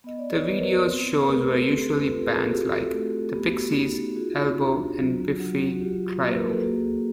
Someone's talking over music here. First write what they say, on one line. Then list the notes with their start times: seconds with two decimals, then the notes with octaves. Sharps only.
The videos shown were usually bands like The Pixies, Elbow and Biffy Clyro.
0.04 B3 D#5
0.19 D5
0.30 B4 C#5
0.45 B3 B4
0.58 A#4 C5
0.86 C4
1.22 B4
1.27 A3 G#4 A#4
1.68 C4 G4 A4
1.96 A4 B4
2.10 F4
2.23 G#4 A#4
2.51 F#4 G4 A4
2.93 A3
3.34 B3 G4
3.44 F#4
3.56 G4
3.75 D#4
4.15 F4 F#4 G#4
4.57 D4 G4
4.98 F#3 F#4
5.40 F#3
5.73 F#4
5.81 F4 G4
6.22 A#3 B4
6.36 A#4
6.49 A4
6.63 A#3 F#4 G#4